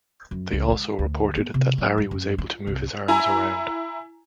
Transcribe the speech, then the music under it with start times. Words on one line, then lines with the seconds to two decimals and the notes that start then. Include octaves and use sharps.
They also reported that Larry was able to move his arms around.
0.31 F#2
0.52 C#2
0.71 G#3
0.99 D2
1.36 B3
1.54 C3
1.78 F#3
1.98 G2
2.11 F#2
2.38 F4
2.67 C2
3.08 E4 G#5 A#5